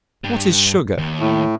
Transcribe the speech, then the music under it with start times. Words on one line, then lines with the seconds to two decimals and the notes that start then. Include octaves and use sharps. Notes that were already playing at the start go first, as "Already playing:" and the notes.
What is Sugar?
0.24 G2 G3
0.98 D#2
1.20 A2